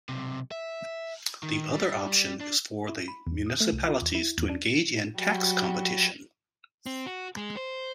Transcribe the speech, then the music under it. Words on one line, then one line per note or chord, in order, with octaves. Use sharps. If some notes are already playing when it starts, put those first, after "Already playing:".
The other option is for the municipalities to engage in tax competition.
B1 C3
E5
D#3
G3
D4
E4
B5
E2
D#6
A3
C2
F4
E2
E4
E2
D4
F#3 G3 F#4
C4
F#4
G#3
C5